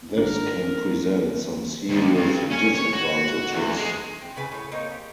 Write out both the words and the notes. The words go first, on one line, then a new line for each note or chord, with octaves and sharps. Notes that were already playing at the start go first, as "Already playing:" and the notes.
This can present some serious disadvantages.
G#1 D4 A#4
D#2
G2
C#4
C#5
F#4
E2
G#3
C4
C#3 B4 G#5
A2 C#5
A#3 C4 D#4 C#5
G4